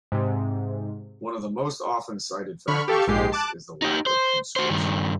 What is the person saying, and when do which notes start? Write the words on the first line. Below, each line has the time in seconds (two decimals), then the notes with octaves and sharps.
One of the most often cited factors for this is the lack of conscription.
0.12 G#2 C3
2.67 D3 B5 C#6 F6
2.88 G4 A4 F5 C#6
3.07 A#1 G#2 G#3 G4 C7
3.32 A5 D6 F#6
3.82 D#4 G4
4.06 C5
4.56 F#4 C5
4.70 G2 D#3